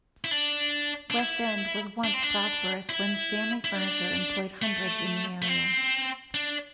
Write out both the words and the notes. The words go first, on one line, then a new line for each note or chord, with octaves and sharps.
West End was once prosperous when Stanley Furniture employed hundreds in the area.
E4
D4
D4
E4
D4
C4
D4
E4
E4
D4
A3
A3
C4
D4